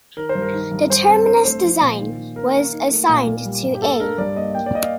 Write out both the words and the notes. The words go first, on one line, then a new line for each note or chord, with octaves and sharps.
The terminus design was assigned to A.
D#3 A#4
C5
G2
A#4
D#3
G2
G3 C5
C4
D4 C5
A3 C5
F3
A#2
D#3
D#3
A#3 A#4
A#3
D#4
A3
A#2
A#2
G3
G2
G4
A#3 A4
D4 A#4
G2 D5
A#3 D#5
A#3 G5
D5
A#3 D#5
F5